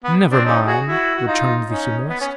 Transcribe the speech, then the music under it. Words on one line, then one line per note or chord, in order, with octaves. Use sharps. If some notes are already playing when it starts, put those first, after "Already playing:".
"Never mind," returned the humorist.
B3
C4 D4
C#4 D#4
F#4 G#4
E4 F#4
F#4
D#4 F4
C#4 D#4
B3
C#4